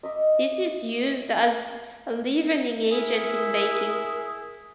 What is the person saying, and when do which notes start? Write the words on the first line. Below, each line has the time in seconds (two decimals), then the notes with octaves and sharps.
This is used as a leavening agent in baking.
0.03 D#5 E5 D6
2.91 E4 G#4 A#4